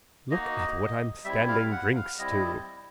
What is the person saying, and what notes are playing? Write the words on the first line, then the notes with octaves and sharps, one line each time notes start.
Look at what I'm standing drinks to!
A#3 D#4 F#4 D#5
G3 C4 E4 E5
F5
F#5
F5
G3 C4 E4 D#5